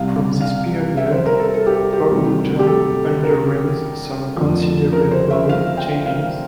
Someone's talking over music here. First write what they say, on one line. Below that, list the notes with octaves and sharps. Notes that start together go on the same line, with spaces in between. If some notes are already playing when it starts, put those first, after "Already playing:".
From this period Pambujan underwent some considerable changes.
Already playing: C2 C3 G3 F5
F5
E5
C5
A#4
A4
A4
G4
G4
D2 C3 G3
G4
A4
A#4
F1 F2 D3 F3
A#4
C5
E5
F5
G5
F5